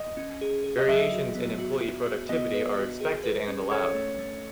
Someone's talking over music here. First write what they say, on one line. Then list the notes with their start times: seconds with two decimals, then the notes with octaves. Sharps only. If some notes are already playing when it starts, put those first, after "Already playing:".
Variations in employee productivity are expected and allowed.
Already playing: D#5
0.17 C#4
0.41 G#4
0.64 G#4
0.78 D#5
0.88 F#3 E5
1.12 F#4
1.35 B3
1.59 F#4
1.83 F#4
2.06 F#4
2.29 B3 D#5
2.54 B4
2.77 F#4
3.01 G#4
3.24 B4
3.48 C#4
3.71 A4 C#5
3.95 A3
4.19 A3